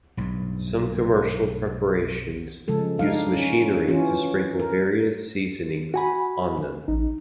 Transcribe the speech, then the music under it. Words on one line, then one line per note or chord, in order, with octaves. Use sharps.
Some commercial preparations use machinery to sprinkle various seasonings on them.
B1 G2
C#3 F3 G#3 A4
G#3 D4 D#4 F5
C#4
E3 C#4 F4
A#4
F#4 G#5 B5
A1 D#4